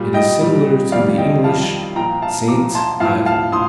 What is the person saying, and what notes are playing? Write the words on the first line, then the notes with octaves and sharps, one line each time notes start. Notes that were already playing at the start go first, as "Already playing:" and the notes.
It is similar to the English Saint Ivel.
Already playing: A#2 G3
D#5 G5
A#2 G3
F2 D#3 G3 D5 F5
D#5 G5
F2 D#3 G3 F5 A5
A#2 F3 G5 A#5
F5 A5
A#2 F3 A#5 D6
A5 C6
A2 F3 F5 A5
F5 A5
A2 C6 D#6